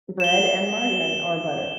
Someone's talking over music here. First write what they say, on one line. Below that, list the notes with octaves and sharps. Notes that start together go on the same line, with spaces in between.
bread and margarine or butter.
E7 G7